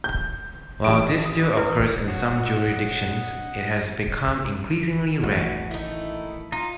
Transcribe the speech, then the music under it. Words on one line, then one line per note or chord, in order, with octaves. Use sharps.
While this still occurs in some jurisdictions, it has become increasingly rare.
G6
A1 D7
D#6
E4 B4
A#2 C4 D4 F#4 C#5 D#5 F#5
A1 E3 F#4
D#3 A3 D#4 E4
D#4 F4